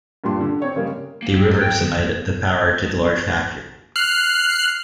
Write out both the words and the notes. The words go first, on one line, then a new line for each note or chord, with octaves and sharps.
The river supplied the power to this large factory.
G2 A#2 G4 C6
D3
C4 C#5 D5
C#3 G3 G#3 A#3
A#3
C4
F#3
G5
D#3
F6 F#6 C7